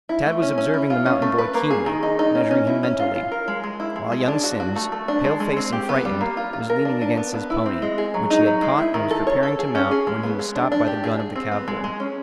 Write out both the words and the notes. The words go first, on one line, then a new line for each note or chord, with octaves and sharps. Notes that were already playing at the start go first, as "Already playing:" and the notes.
Tad was observing the mountain boy keenly, measuring him mentally, while young Simms, pale-faced and frightened, was leaning against his pony, which he had caught and was preparing to mount when he was stopped by the gun of the cowboy.
E4
A3
C#4
C#4
E4
F4
C#4
A3
B4
A#3
G#4
D#3
D#4
D#4
C#4
C#4
E4
C#4
F4
F4
A#4
G#3
G#3
E4
G#3
G#3
D4
F#4
F#4
A3
A3
D4
G#3
G#3
C4
G4
B3
G3
A#3
F4
F4
A#4
D4
D4
B3
B3
E4
C4
G#3
G#4
F#3
D#4
F#3
G#3
E4
D#3
A4
C#5
A4
G#4
C#4
G#4
G#3
B3
G#3
D4
D4
G4
G#4
G#4
C4
B3
G#3
G#3
C#4